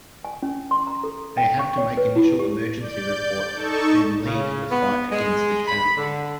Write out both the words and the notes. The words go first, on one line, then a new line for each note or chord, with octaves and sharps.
They have to make initial emergency report then lead the fight against the casualty.
G#5
C#4
C6
A#5
A4
G5
C#6
C#5
B4
E4
G4
D5 G6
D#4 A4 A5 C#6
C#3
B3
G#3
B5
D3